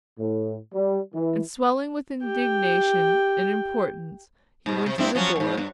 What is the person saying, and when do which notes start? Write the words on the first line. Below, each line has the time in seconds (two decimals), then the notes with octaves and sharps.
And swelling with indignation and importance he went to the door.
0.18 A2
0.72 G3
1.13 E3
2.23 G4 G5
4.66 G#2 B2
4.86 C3
4.98 G2 C4 E4
5.15 F3 F#3 C#4
5.36 E2 G#2
5.57 G2